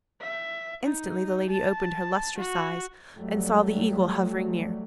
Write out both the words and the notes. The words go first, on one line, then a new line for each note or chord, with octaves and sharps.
Instantly the lady opened her lustrous eyes, and saw the Eagle hovering near.
E5
D#4
A5
F#4
F2 F#3 G3 A3